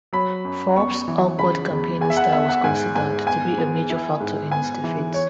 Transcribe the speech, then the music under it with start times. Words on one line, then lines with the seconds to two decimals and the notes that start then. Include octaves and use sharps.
Forbes' awkward campaigning style was considered to be a major factor in his defeat.
0.13 F#3 B5
0.45 F#2
0.76 B3 C#6
1.08 E3
1.38 C#3 B5
1.69 E2
2.01 E2 G#5
2.10 E5
2.17 F#5
2.32 B3 E5
2.48 F#5
2.64 G#2 G#5
2.95 G#2 G#5
3.26 B3 G#5
3.58 B3
3.90 E4
4.20 G#2
4.51 B3 G#5
4.84 E3
5.14 C#5